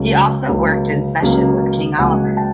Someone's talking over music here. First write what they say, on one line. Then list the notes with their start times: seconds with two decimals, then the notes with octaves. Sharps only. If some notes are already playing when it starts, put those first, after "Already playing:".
He also worked in session with King Oliver.
Already playing: C#2 C#3 F#3 A#3 C#4
0.46 C#2 C#3 F#3 A#3 C#4
1.22 C#2 C#3 F#3 A#3 C#4
1.98 C#2 C#3 F#3 A#3 C#4 F#5 G#5
2.37 G5 A5